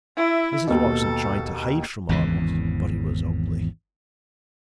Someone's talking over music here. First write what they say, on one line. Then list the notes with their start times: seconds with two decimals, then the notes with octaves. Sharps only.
Mrs. Watson tried to hide from Arnold, but he was ugly.
0.17 E4 E5
0.67 D#2 B2 A4
2.09 G#1 E2 C#3 E3